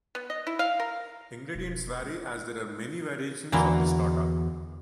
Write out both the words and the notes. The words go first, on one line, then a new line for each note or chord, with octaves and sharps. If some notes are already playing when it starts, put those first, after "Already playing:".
Ingredients vary as there are many variations of this torta.
B3
D#5
E4
F5
A#4
E1
E2 D3 E3 A#3 F#4